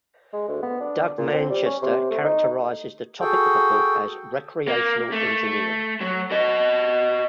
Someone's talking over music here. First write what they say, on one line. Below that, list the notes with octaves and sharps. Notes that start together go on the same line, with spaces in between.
Doug Manchester characterizes the topic of the book as "recreational engineering".
G#3
D2
B3
D4
A#2
C4
G3
C#4
C3
A3
D#4
F#4 G#4 A4 G5
A#3
A3
F#3
F#4 D#5